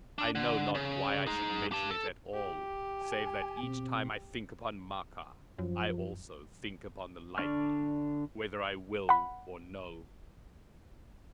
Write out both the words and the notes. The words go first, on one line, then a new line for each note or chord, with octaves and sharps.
I know not why I should mention it at all save that each time I think upon Maka, I also think upon the lightning, whether I will or no.
D4
D3
C#3
D#4 G#4
G4 A5
A4
G4
G#5
B2 C4
F#2 F3
D3 D4 D5 C#6 F6
F#5 B5